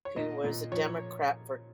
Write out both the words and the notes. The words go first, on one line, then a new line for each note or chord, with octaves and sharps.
who was a Democrat for
C#5
A#2 D#5
A#2
F3 C#5